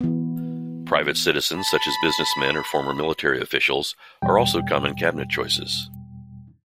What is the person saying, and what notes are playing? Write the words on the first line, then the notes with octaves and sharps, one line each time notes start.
Private citizens such as businessmen or former military officials are also common Cabinet choices.
E3 B3
A5 B5
E2 B2 G3 G5